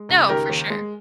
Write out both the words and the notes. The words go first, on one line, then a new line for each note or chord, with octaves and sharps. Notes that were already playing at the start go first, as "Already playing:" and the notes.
No, for sure.
Already playing: G#3
C#2
D#3 G4 A#4
D#2
G#3